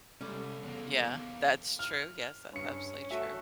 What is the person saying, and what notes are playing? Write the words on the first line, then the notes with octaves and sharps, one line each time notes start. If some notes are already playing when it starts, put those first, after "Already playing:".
Yeah, that's true. Yes, that's absolutely true.
C2 G3 G#3 C#4 A4
E2 A#3 B3 G#4 C#5
F6
G2 C#4 C#7
A3 F#4 E5